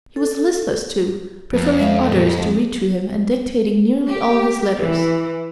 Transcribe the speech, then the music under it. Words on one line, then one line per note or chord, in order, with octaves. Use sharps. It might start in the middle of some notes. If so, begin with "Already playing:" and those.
He was listless too, preferring others to read to him and dictating nearly all his letters.
A4
F2
G#3 E5 F5
A#2 G4
D2
G4
E3